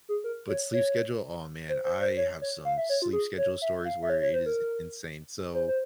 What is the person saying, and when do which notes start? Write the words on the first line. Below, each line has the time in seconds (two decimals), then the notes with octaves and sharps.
But sleep schedule, oh, man, I have some sleep schedule stories where it is i insane. So,
0.09 G#4
0.24 A#4
0.49 C#5
0.73 C#5
1.69 C5
1.84 C5
2.01 C5
2.17 C#5
2.42 C#5
2.65 F5
2.77 E5
2.89 C#5
3.02 F4
3.13 G#4
3.38 C#5
3.62 E5
3.85 F5
4.03 E5
4.10 C#5
4.22 C#5
4.33 C5
4.46 A#4
5.54 C5
5.68 C5